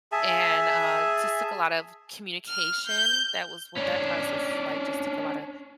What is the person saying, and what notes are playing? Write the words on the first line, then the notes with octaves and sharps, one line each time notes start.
and uh, just took a lot of communication that was what that process was like, just took a lotta,
G#4 E5 G#5 A5
F6
G6
C#4 D4